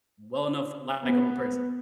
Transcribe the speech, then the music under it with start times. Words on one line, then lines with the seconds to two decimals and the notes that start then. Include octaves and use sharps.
well-enough, likable person.
1.05 B3